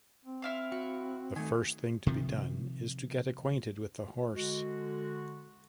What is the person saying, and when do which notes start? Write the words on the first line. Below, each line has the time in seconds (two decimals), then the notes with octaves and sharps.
The first thing to be done is to get acquainted with the horse.
0.24 C4
0.42 E4 F5 C6
0.72 F#4
1.36 D#3 A3 G#5
2.07 C3 D#3 F3
4.36 D3 G#3 F#4